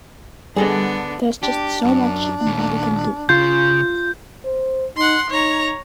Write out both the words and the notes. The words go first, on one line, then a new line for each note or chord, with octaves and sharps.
There's just so much a body can do.
D3 G3 B3 D4 G#4 A4 D#5
D4 G4
F#2
D#2 A#2
C#3 F4 G6
C5
D#4 F#5 C6
D#4 C#5 A#5